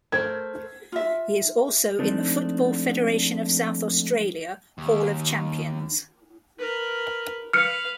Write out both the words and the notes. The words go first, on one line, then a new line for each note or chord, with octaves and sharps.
He is also in the Football Federation of South Australia Hall of Champions.
A3 A#4 C5 G#6
F4 E5
F3 G#3 A3 C4 D4 D#4
D#2
A#4 B4
B4 F5 F6 C#7